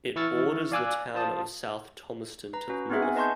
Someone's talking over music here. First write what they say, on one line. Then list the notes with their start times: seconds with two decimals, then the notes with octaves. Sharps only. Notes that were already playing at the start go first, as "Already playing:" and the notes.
It borders the town of South Thomaston to the north.
0.16 E3 E4 C#6 E6 F6 A6
0.72 D5 F5 G#5 D6 E6 F#6
1.15 F4 C5 A5 D#6
2.53 B4 A#5
2.69 C#4 F#4 B4
2.90 B3 C4 D#4 G#4 E5 F#5
3.03 G#5
3.16 B4 D#5 A5 C6 C#6 G6